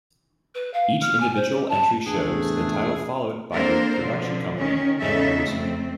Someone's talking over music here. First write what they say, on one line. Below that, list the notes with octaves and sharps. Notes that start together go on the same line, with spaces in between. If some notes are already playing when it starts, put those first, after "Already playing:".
Each individual entry shows the title followed by the production company, and the producer.
B4
F5
F6
G#5
C5
G4
A5
E2 A2 C3 A3 B3 D4 G#4
A#3 C4 D4 A4 A#4 C5
B2 D3 F3
D#3 C#4
E2 C#3 C#4 D#4 A4 E5
F2 A3 C4